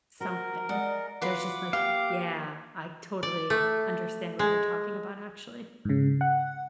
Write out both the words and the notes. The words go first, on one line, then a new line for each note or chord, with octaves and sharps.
Something. There's just like yeah, I totally understand what you're talking about, actually.
F#4 A#4 C5
G#3 D5 D#5 F#5
E3 F4 B4 F#5 C6 D6
A#3 G4 F5
D5
A3
G#3
G#2 C#3
F#5